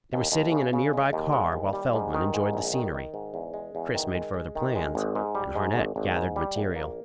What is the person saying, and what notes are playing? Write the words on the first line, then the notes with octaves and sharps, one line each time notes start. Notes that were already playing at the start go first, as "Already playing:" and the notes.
They were sitting in a nearby car while Feldman enjoyed the scenery, Chris made further plans, and Harnett gathered material.
D#2
D#2
C#3
C#3
G#3
D#2
G#3
D#2
G3
G#2
D#3
G#2
A#1
D#3
D#3
G#2
E2
G#3
E2
D#3
G#3
G#3
D#3
G#3
G#1
G#2
G3
G#2
G#1
G#1
G#2
G3
A#1
A#3